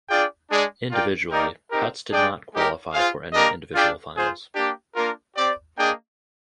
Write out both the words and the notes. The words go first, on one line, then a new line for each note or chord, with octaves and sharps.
Individually Petz did not qualify for any individual finals.
D4 F4 G#4 D5 G5
G#3 D4 G#4 D5
F4 A#4 D5 G5
A#3 D#4 A#4 D5 G5
C4 D#4 G4 A#4
G#3 D4 G#4 D5 G5
G#3 D#4 G4 A#4
F4 G#4 C5 F5
A#3 D4 G4 A#4 D#5
D4 F4 G#4 D5 G5
F4 G#4 C5
A#3 D4 G4
A#3 D4 F4 A#4
C4 G4 D5
A#3 D4 G#4 D#5 G5